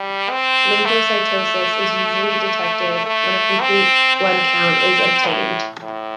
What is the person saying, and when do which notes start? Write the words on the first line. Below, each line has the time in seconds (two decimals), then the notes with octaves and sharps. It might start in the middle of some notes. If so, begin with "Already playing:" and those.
Lymphocytosis is usually detected when a complete blood count is obtained.
Already playing: G3
0.30 C4
0.85 A3
3.06 A3
3.61 C4
4.16 C4
5.27 A2
5.82 A2